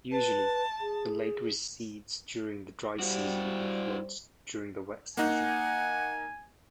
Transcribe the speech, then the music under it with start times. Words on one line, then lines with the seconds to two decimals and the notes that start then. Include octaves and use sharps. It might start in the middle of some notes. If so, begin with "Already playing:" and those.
Usually, the lake recedes during the dry season and floods during the wet season.
0.12 B4 A5
0.81 G#4
2.99 G3 E4 F#4 C5
5.17 A#3 D#4 F#5 G#5